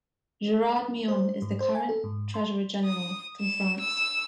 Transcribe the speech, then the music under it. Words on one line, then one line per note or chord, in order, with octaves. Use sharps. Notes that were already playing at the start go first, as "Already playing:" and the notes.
Gerard Myon is the current Treasurer General, from France.
C5
G#2
C5
G#5
A4
G#2
C6
D#6
E7
E6